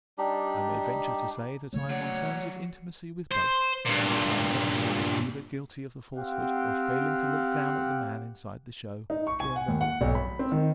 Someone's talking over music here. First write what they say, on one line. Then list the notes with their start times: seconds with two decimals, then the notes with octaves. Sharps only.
I may venture to say that I am on terms of intimacy with both, and that I never saw either guilty of the falsehood of failing to look down at the man inside the show, during the whole performance.
0.18 G3 D4 D#4 G4
1.73 C#3 A3 A#3 C#5
1.90 F#3 D5 F#5
3.32 C5
3.86 G2 A#2
6.16 C4 G4 F5 F#5
9.10 D#4
9.27 C#6
9.40 G#5
9.56 F#5
9.68 D#2
9.81 F#5
10.01 B1
10.15 B5
10.39 C4
10.52 D#3